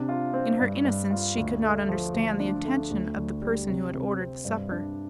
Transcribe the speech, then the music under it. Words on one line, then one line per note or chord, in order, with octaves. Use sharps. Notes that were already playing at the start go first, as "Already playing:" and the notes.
In her innocence, she could not understand the intention of the person who had ordered the supper.
Already playing: C3 D4
F4
C4
G2
G2
F4
D2
A3
F3
D2
D4
A3
D2
D2
G3
C3
C3
C4
G2
D4